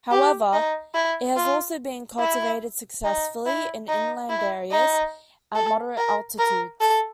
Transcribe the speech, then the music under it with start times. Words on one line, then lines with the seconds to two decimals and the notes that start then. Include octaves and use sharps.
However, it has also been cultivated successfully in inland areas at moderate altitudes.
0.11 G4
0.53 D#4
0.95 E4
1.36 F4
2.20 E4
3.04 D#4
3.46 E4
3.89 D#4
4.29 E4
4.72 D#4
5.55 A4
5.98 A#4
6.39 A#4
6.81 A4